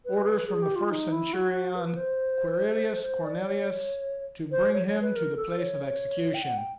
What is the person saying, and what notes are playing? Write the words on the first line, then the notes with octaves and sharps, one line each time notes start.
Orders from the first centurion Quirrillis Cornelius to bring him to the place of execution.
B4
G#4
G4
F4
D#4
E4
F#4
B4
C5
C5
D5
C#5
C5
C#5
C#5
B4
A#4
A4
C#5
G5
F#5
G5